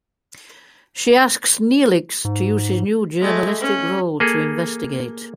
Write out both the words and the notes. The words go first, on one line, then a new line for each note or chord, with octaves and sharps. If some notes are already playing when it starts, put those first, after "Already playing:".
She asks Neelix to use his new journalistic role to investigate.
G#2
G#3 A3
C#4
A#3 G#4 A4